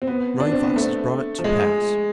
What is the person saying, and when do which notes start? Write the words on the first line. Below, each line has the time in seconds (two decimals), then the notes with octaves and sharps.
Running Fox has brought it to pass.
0.02 C4
0.07 B3
0.40 D4
0.52 C4
0.63 B3
0.76 A3
1.39 F3
1.44 G#3